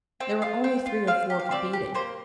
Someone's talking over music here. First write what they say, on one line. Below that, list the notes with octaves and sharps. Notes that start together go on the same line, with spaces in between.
There were only three or four could beat it.
C4 G5
F4
C4 G5
F4
C4 F5
G4
F5
C4 D5
G4
A#3 C5